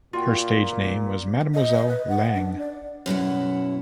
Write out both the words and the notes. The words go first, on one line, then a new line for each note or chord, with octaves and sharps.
Her stage name was Mademoiselle Lange.
A#2 F4 F#4 G5
D#5
B4
F#5
D4
D5
F#2 B2 E4 F#5